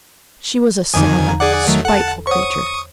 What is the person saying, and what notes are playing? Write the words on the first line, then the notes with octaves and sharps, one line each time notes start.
She was a sour, spiteful creature.
F2 D3 D#3 F3 D#4 G#5
E2 A#5
G#4 D5 F#5 D6
D#3 F#3 A3
A4 F#5 A5
C5 C#5 F#5 C#6 D#6